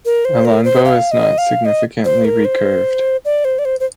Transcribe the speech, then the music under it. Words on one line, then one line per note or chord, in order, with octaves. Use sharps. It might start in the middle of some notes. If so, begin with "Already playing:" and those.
A longbow is not significantly recurved.
A#4
C5
A#4
C5
F5
D#5
F5
D#5
C5
A#4
C5
D5
C5
D5
C5
C5